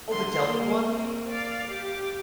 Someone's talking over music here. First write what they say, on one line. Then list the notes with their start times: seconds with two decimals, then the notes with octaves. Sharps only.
Oh, the Delta one?
0.11 D3 C6
0.46 A#3
0.89 A#3 C4
1.29 D5 F5
1.68 G4 D6